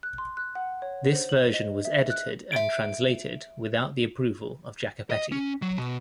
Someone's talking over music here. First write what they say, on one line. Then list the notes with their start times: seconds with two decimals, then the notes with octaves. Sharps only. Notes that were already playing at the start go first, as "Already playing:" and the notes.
This version was edited and translated without the approval of Jacopetti.
0.03 F#6
0.18 C6
0.37 F#6
0.55 F#5
0.82 C#5
1.12 C5
1.29 F#7
1.54 D#5
1.85 E5
2.10 F#6
2.52 E5 D7
5.11 D#5
5.32 C#4
5.62 F#3
5.78 B2